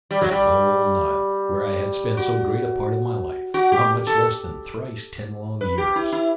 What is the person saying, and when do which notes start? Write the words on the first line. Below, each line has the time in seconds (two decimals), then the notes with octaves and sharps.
That lone isle, where I had spent so great a part of my life--not much less than thrice ten long years.
0.11 G3
0.21 F#3
0.31 G3
2.17 F#4
3.54 F#4
3.72 G4
4.07 A4
5.61 B4
5.78 G4
5.96 E4
6.12 E4